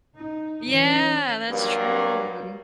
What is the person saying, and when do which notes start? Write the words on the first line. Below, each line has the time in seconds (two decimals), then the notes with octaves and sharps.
Yeah, that's true.
0.16 D#4
0.67 E3 C#4
1.49 G2 F#3 A#3